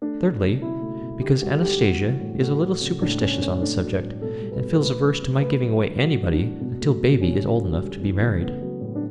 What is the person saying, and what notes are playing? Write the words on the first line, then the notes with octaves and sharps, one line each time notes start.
Thirdly, because Anastatia is a little superstitious on the subject and feels averse to my giving away anybody until baby is old enough to be married.'
A3 D4
F#3
C#3
B2 E4
A3
B2
D3 G4
G3 F#4
A4
D3 G4
G3 F#4
E3
A2
A3 F#4
F#3
C#3
A2 D4
G3 C#4
A2 C#4
A3 D4
F#3
A2
B2 A4
G3
B4
B2
A4
A3 B4
F#3
C#3
A3 B4
F#3
D3
G3 F#4
E3
D4
A2
B2
A3
B2
D3 C#4
G3
D3
G3
E3
C#3
A3 B3
F#3
A2
D4